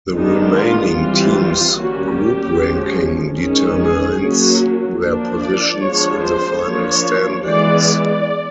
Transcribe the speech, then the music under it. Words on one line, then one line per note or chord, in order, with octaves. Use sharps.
The remaining teams' group ranking determines their positions in the final standings.
D#3 G#3 B3 D4 D#4
F4
E3 G3 C4 F4
G3 A#3 C#4 F#4
G4
F3 G#3 C#4
D#3 G#3 C#4
G#4
F#3 A#3 C#4
F3 A#3 D4
D5
F3 G#3 B3 D4 C#5
C5
F3 A#3 D4 C#5
E3 G#3 B3 D5
D5